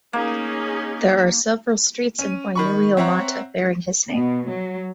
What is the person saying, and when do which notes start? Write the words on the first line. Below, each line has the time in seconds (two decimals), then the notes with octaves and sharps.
There are several streets in Wainuiomata bearing his name.
0.13 A#3 C#4 D#4 G#4
2.19 C#4 D#7
2.55 D#3 B5 C#6
2.97 C4 C#5 E5 F#5 A#5
4.15 B2
4.48 F#3